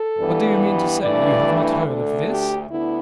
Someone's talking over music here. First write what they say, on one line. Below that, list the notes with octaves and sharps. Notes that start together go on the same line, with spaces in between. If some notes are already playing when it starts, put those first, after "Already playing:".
But do you mean to say you have not heard of this?
Already playing: A4
G2 E3 G3 B3
G2 E3 A3 D4 D5
D2 D3 A3 D4 A4
G4
D2 D3 B3 E4